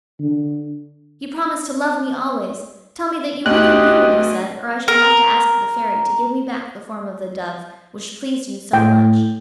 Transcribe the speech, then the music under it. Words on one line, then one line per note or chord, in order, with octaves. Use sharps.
"You promised to love me always; tell me that you really mean what you said, or I shall have to ask the Fairy to give me back the form of the dove which pleased you so much."
D3
D2 B2 G4 D#5 F#6
A#4
A2 G5